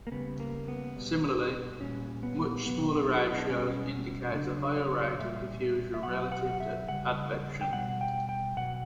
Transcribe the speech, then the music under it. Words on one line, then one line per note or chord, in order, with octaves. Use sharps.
Similarly, much smaller ratios indicate a higher rate of diffusion relative to advection.
A#3
C#3 G3 B3
A#3
B3
B2 G3
A#2 G3 C#4
B3
B2 F#3 B3
F#4
E4
D4
B2 G3 C#4
C#3 F#3 D4
C#5
A#2 G3 E5
E5
B2 F#3 F#5
F#5
E5
C#3 G3 F#5
G5
B2 G3 F#5
G5
G5
B2 F#3 F#5